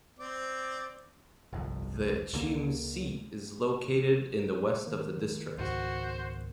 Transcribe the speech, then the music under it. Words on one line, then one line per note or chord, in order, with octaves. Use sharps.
The Chiemsee is located in the west of the district.
C4 D5
G1 C2 F2
C#2 D3 D#3 A#3
D#3 A#3 A#4
C#2 G#2 F#4 C5